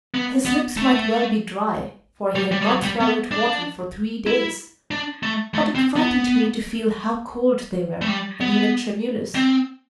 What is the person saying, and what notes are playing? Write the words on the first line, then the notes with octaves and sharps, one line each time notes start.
His lips might well be dry, for he had not swallowed water for three days; but it frightened me to feel how cold they were, and even tremulous.
B3
B3
A3
G3
G3
G3
F#3
G3
B3
D4
E4
D4
A3
A3
C4
B3
A3
G3
B3
C4